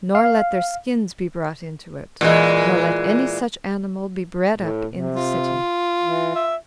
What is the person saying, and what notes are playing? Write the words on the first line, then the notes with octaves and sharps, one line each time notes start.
Nor let their skins be brought into it; nor let any such animal be bred up in the city.
F5
A#2 E3 G#3
A2
C3
F4
E3
E5